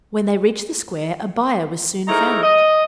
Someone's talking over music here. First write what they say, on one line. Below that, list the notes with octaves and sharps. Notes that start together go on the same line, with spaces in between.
When they reached the square, a buyer was soon found.
G#2 A3 D#4 E4 A#4 A#5
D#5